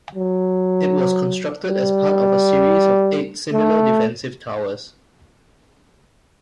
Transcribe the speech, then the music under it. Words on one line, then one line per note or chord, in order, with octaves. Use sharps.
It was constructed as part of a series of eight similar defensive towers.
F#3
G3
A3